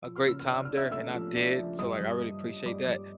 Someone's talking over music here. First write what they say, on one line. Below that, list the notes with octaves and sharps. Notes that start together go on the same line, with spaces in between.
a great time there, and I did, so, like, I really appreciate that.
F3 E6
F6
C#3 E6
F6
D4
E6
D4 F6
E5 E6
A3 E5 E6
F3
D4
F3
G2 D#5 D#6
G2
G3
G2
G2 D5 D6
G2